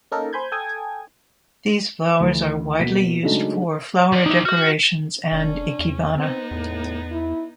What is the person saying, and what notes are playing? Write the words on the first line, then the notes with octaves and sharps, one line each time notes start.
These flowers are widely used for Flower Decorations and Ikebana.
A#3 C#4 D#4 A4 A#4
C5 G#5 B5 G6 G#6
A4 G5 G#5 D#6 G#6
D2 E3
B2 A#3 B6
C#3 F#3 G#3 A3 D4 D#4
F3 D5
D#4 E4
F#4 F6
F1 C#4 D4
E2
B3 C4 D#4 C5
E2 A2
E4